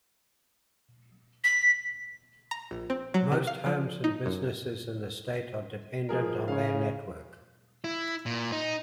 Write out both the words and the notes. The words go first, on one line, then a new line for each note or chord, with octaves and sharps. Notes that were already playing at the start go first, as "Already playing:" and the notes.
Most homes and businesses in the state are dependent on their network.
B6
A#5
A#1
C4
F#3
C3
F5
F3
D#4
F#2
F3 G#4 A#4
C#3 C#5 F5
E4
A#2
D#4